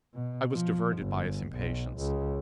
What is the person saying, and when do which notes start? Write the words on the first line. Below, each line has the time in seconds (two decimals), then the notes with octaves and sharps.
I was diverted by his impatience.
0.15 B2
0.53 F3
0.98 G1
1.53 B1
1.98 C#2